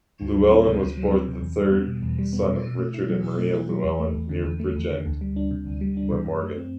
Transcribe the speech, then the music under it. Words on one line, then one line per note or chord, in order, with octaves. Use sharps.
Lewellin was born the third son of Richard and Maria Lewellin, near Bridgend, Glamorgan.
D2
F#3
C4
C3
D2
F#3
C4
C3
E2
G3
B3
B2
E2
G3
B3
B2
B2
A3
E4
F#3
B2
A3
E4
F#3
E2
A3
E2
D3
E2
A3
E2
D3
D2
G3
D4
C3
D2
G3
D4
C3
F#2
A3
C4